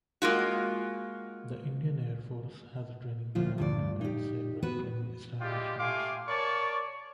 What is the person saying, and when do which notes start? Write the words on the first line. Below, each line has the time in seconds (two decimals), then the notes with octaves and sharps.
The Indian Air Force has a Training Command and several training establishments.
0.22 G#3 A#3 F4 F#4
3.35 D2 A#2 F3 F4
3.58 D2 G2 D5
4.01 D#4 G4
4.62 B3 F#4 B4
5.40 G#3 E4 F4 G4 D5 G5
5.79 A3 G4 F5 G#5 C6 D6
6.28 A#4 C#5 D5 A5 C#6